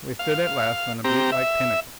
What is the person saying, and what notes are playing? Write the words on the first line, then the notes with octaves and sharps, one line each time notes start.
We stood at last on a buttelike pinnacle.
F5
C4 G4 A#5
E5